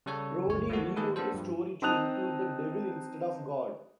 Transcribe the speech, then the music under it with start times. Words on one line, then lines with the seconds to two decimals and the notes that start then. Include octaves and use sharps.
Brody re-wrote the story to include the Devil instead of God.
0.06 C#3 G3 A4 C#5
0.48 G1 D2 C#5
0.69 F3 A3 A#3 F#4
0.96 D#3 A#3 G#4 A4 B4
1.16 A#3 B3 D4 A4 C5
1.34 G2 F3
1.82 C4 D#4 A5 D#6 F#6 F7